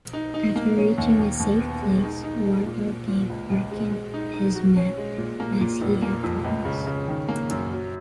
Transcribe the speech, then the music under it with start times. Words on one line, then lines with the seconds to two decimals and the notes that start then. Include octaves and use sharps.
After reaching a safe place, Warbow gave Arkon his map as he had promised.
0.13 D#4
0.34 D#4
0.56 A#3
0.77 C#4
0.98 D#2
1.18 D#2
1.40 D#2
1.60 B3
1.82 G#3
2.03 D#4
2.24 D#4
2.45 G#3
2.66 A#2
2.87 A#2
3.08 A#2
3.30 C#2
3.50 C#2
3.71 G#3
3.92 G#3
4.14 D#4
4.34 D#4
4.55 F#4
4.76 C#4
4.98 G#3
5.18 A#2
5.40 A#3
5.61 A#2
5.81 F1
6.02 A#3
6.24 F2
6.44 C#2
6.65 C#3
6.87 C#3
7.08 D#3
7.29 A#3
7.50 F#2
7.71 F#3